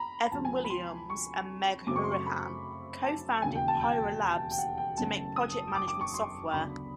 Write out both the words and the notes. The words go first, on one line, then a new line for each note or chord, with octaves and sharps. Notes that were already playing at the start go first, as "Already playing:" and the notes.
Evan Williams and Meg Hourihan co-founded Pyra Labs to make project management software.
Already playing: A#5 B5
D2 C3 F3 G#3 B3 A5
G#5
B5
C6
C#6
F#2 C#3 F#3 A3 C4 D6
C#6
C6
C#6
B5
A5
E1 D#2 C#3 G#5
G5
A5
G5
G5
F#5
G5
F#1 F#2 C#3 F#3 A3 A5
D#6
D6
D6
C#6
C6
D2 C#3 F#3 B3 D4 B5